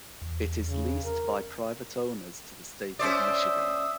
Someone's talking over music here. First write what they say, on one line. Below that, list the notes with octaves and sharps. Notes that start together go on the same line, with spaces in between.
It is leased by private owners to the state of Michigan.
E2
C#3
A#4
C#4 C5 D5 E5 D#6